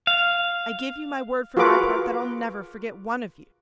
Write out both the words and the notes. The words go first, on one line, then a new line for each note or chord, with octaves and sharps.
I give you my word for my part that I'll never forget one of you.
F5
F4 F#4 G#4 A#4 B4 D6